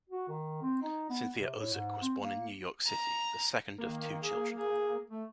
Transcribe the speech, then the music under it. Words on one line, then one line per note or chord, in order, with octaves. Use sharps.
Cynthia Ozick was born in New York City, the second of two children.
F#4
D#3
C4
D#4
B3
C3
A2
G#2
C4
A#3
A#5
D#3 A#3
G#4
G#4
A3